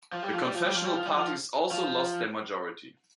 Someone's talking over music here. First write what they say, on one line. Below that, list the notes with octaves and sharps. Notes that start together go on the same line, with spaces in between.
The confessional parties also lost their majority.
F3
G3
F3
G3
F3
G3
F3
G3
F3
G3
F3
F3